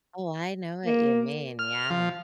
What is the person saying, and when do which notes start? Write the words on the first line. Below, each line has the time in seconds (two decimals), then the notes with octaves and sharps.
Oh, I know what you mean, yeah.
0.86 A#3
1.59 F6
1.90 F3